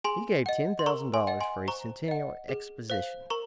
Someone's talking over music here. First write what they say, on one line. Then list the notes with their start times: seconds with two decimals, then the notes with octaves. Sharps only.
He gave ten thousand dollars for a Centennial Exposition.
0.04 G#4 G#5 C6
0.46 D#5 F#5
0.79 C6
0.86 A#4 A#5 C#6
1.14 G#5 C6
1.27 D#5 F#5
1.41 G#5 C6
1.68 C5 A#5 C#6
2.08 D#5 F#5
2.49 G#4
2.90 C5 F5
3.30 A#4 A#5 C#6